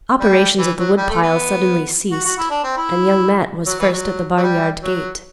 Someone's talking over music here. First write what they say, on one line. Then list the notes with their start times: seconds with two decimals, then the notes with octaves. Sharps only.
Operations at the woodpile suddenly ceased and Young Matt was first at the barn-yard gate.
0.20 G3
0.58 E3
0.77 F#3
0.97 G3
1.10 A3
1.22 B3
2.12 F#4
2.25 F#4
2.38 E4
2.50 D4
2.64 C4
2.77 E4
3.66 F#3
3.79 E3
3.92 F#3
4.37 F#3
4.43 G3
4.82 F#3